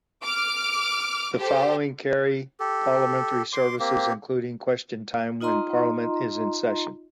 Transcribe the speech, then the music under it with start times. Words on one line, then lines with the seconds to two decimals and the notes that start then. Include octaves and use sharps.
The following carry parliamentary services, including Question Time, when parliament is in session.
0.25 D6 F6 D7
1.37 G4 A4 C5
2.60 G4 A4
3.53 C6 D6
3.80 A#3 C4 G4
5.41 D#4 F4 D#5 A#5 C6